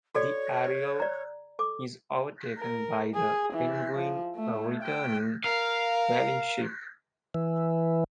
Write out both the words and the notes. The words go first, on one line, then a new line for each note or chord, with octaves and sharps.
The "Ariel" is overtaken by the "Penguin", a returning whaling ship.
F#4 A4 C#5 D5
D5 A#5
A4 D6
A#4
G#4
E3
F3
A3
G5
A#4 F5
E3